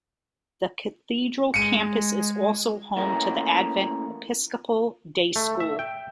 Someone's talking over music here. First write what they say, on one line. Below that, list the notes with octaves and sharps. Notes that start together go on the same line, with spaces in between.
The Cathedral campus is also home to the Advent Episcopal Day School.
G#3 C#7 D#7
E3 A3 A#3 C#4 A#4
A3
E5
G5